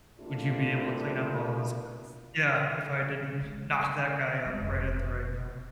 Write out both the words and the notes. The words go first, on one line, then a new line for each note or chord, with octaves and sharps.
"Would you be able to clean up all those kills?" Yeah, if I didn't knock that guy up, right at the right time?
C3 A3 A#3 D4 E4 F4
G#3
D3
G#3 A3
F1